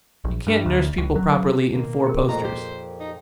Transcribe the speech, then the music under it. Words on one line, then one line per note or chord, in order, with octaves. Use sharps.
You can't nurse people properly in four-posters.
A#1
G2
D2
C#2
F#3
B2 D#3 A#3
G#4 A#4
F2 A#2 A3 F4 D#5 A#5
G4 C5
D#4